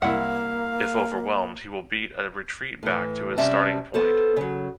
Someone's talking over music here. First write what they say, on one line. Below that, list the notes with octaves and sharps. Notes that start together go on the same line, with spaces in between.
If overwhelmed, he will beat a retreat back to his starting point.
C2 A#3 E4 F5 F#5
A2 E3
C3 G3 C#4 E5 A5
B3 A4 C5
C#3 F#3